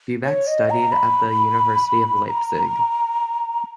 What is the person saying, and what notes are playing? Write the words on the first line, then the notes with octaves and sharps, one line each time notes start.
Buback studied at the University of Leipzig.
C#5
D#5
A#5
B5
A#5